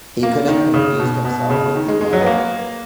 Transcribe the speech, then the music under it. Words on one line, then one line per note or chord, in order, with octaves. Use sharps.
He could have confused himself with the one after.
A#3
D#3
C#3
B2
B2
C#3
D#3
G#3
G#3
F#3
B3
A#3